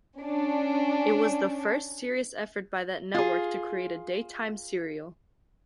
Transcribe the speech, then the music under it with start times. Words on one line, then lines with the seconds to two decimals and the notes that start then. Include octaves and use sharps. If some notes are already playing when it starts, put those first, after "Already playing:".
It was the first serious effort by that network to create a daytime serial.
0.18 C#4 D4
3.14 F4 G#4